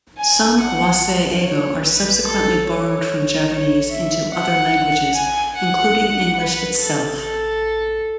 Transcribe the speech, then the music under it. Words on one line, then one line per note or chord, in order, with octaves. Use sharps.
Some "wasei-eigo" are subsequently borrowed from Japanese into other languages, including English itself.
G#5
F#5
C#5
B4
A4
C#5
C#5
E5
F#5
G#5
F#5
B4
A4
A4